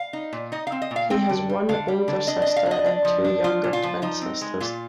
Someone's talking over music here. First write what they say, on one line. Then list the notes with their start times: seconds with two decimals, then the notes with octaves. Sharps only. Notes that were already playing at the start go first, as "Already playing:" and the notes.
He has one older sister and two younger twin sisters.
Already playing: F5
0.13 D#4
0.33 A#2
0.52 D#4 D#5
0.67 F5
0.72 C4
0.82 D#5
0.91 A#2
0.96 F5
1.10 C4 G5
1.29 D3
1.49 G3
1.69 D3 F5
1.88 G3
2.08 D3
2.27 D4 D#5
2.42 D#5
2.47 D4
2.56 F5
2.66 D4
2.71 D#5
2.86 D4
3.05 F3
3.24 D4
3.44 F3 F4
3.64 A#2
3.73 F4
3.83 F3
4.02 F3 D#4
4.22 C4
4.41 G#3
4.60 A#2 F4